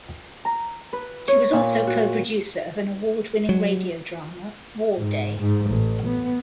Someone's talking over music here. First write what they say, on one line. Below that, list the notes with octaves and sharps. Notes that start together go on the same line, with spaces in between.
She was also co-producer of an award-winning radio drama, "War Day".
A#5
B4
C#5
A#2
F#4
F#3
G#2
G#2
A1
B3